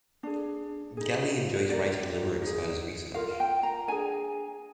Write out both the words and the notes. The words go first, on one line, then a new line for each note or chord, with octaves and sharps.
Galli enjoys writing limericks about his research.
D4 G#4
D#4 G#4
D#4 G4 A#4 D5
D#4 G#4
F4 A#4 F5
G5
A#5
D4 G#4 G#5